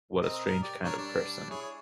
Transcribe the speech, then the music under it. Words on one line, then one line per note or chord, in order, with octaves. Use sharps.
What a strange kind of person!
C4 A#4 D#5
A#4
G4 D5
D4 A#4 C#5
G3 D4
E4 G#4 C#5